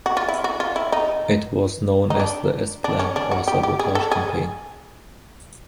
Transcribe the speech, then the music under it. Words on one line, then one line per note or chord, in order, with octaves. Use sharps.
It was known as the S-Plan or Sabotage Campaign.
F#4
F4
E4
F#4
F4
E4
D#4
D#4
D4
D4
C#4
D4
F#4
G4
G4
G#4
A4
G#4